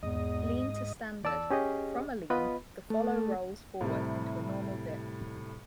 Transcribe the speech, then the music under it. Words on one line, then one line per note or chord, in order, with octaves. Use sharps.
"Lean to Standard:" From a lean, the follow rolls forward into a normal dip.
E2 G#2 D#5
E2 D5 A5 E6
C#4 G4 G#4 D#5
B3 F4 B4 D#5 B5
A3
A2 C3 G3